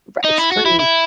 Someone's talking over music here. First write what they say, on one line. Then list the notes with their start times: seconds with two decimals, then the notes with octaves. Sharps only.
Right, it's free.
0.24 D#4
0.38 E4
0.51 F#4
0.65 E4
0.79 E4